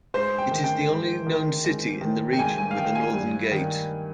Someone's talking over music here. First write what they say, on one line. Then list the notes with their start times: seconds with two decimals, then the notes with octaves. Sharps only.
It is the only known city in the region with a northern gate.
0.14 G#2 C5
0.38 G5
0.51 D#3
0.64 G5
0.89 G#2
1.27 D#3
1.65 G#2
2.01 D#3
2.33 G5
2.39 G#2 G#5
2.58 G#5
2.71 F5
2.77 D#3 G5
2.95 G#5
3.14 G2
3.52 D#3